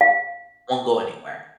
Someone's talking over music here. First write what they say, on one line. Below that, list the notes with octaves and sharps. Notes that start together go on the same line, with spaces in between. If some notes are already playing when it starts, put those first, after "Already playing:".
won't go anywhere,
F5